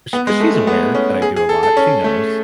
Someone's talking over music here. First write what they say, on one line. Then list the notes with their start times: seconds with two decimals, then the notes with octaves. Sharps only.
Sh 'Cause she's aware that I do a lot, she knows.
0.13 B3
0.27 G#3
0.40 A3
0.53 A3
0.67 B3
0.95 C#4
1.22 G#4
1.36 G#4
1.49 A4
1.63 A4
1.77 C#4
2.04 A3